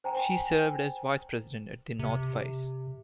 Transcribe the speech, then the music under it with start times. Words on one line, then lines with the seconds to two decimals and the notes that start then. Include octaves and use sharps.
She served as vice president at The North Face.
0.04 C5 G5 G#5 A#5
1.99 C3